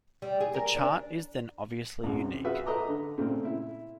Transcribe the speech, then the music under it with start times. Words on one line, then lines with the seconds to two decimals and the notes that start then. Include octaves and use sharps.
The chart is then obviously unique.
0.22 G3
0.40 G#4
0.54 A#4
0.76 D4
2.03 C2 F#2 G#3
2.44 F4 F#4 G#4 B4 E5 F#5
2.66 A4 B4 D#5 A#5 D6
2.88 D3
3.18 A#2 C#3 A3 C4
3.45 E4